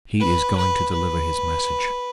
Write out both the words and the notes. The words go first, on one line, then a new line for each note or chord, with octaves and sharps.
He is going to deliver his message.
B4
B4
B4